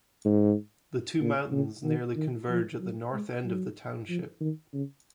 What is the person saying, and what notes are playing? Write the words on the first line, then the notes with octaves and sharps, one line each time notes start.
The two mountains nearly converge at the north end of the township.
G#2
A#2
C#3
D#3
D#3
F3
F#3
G#3
F#3
F3
D#3
C#3